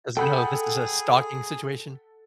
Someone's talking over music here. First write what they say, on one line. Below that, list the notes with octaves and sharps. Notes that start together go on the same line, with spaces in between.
'Cause, no, this is a stalking situation.
G#4 A4 F#5 G5 B5 G6